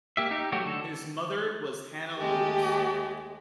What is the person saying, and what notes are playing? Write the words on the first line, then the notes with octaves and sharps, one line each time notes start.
His mother was Hannah Lewis.
A#3 G4 E5
D#4 G4
F#3 A3 F#4 G4
D3 A4
D#2 G#3 A3 G4